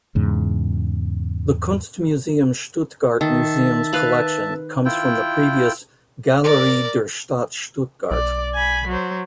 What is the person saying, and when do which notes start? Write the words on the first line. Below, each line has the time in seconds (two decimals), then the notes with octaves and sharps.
The Kunstmuseum Stuttgart museum's collection comes from the previous "Galerie der Stadt Stuttgart".
0.15 E2 G#2 C#3
3.21 D#3 E5 A5
3.93 B4 F5 B5
4.85 E4 F4 G5
6.43 A#4 D5
8.11 B1 D5
8.55 G#5 B5
8.88 F#3 C5